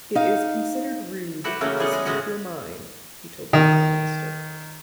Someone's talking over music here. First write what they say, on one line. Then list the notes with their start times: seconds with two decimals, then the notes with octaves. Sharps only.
It is considered rude to speak your mind, he told the Prime Minister.
0.15 D#4 F5
1.44 E4 F#4 G4 B4 E5 F#5
1.61 C#3 E3 F#3 A3 A#3 C#4
1.79 G3 B3 G#4 F#5
1.92 B2 G#3 G#4 G#5
2.05 A2 C#3 G#3 C#4 F#4 F#5
3.53 D#3